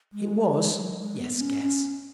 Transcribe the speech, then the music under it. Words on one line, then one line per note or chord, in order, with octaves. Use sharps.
It was--yes, guess!
G#3
F#3
G#3
B3
B3
C#4
C#4